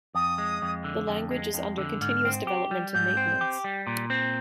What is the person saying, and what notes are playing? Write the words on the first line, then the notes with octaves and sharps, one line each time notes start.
The language is under continuous development and maintenance.
F2 D#6
G#3
F2
D3
F2
G#3
F2
D3
G#2 F6
C4
G4
G3
G#2 G6
C4
G4
G3
A#2
C4